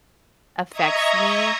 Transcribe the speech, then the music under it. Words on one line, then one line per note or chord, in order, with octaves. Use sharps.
affects me,
D#5 E5 A#5 C#6 D#6 G#6